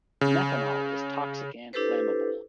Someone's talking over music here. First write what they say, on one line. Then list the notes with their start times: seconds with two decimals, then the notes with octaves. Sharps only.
Methanol is toxic and flammable.
0.21 C#3
1.73 D4 E4 G4 A4 B4 C5